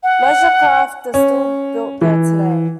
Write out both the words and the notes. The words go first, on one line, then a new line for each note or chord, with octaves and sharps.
Leisure craft are still built there today.
F#5
C#4
E3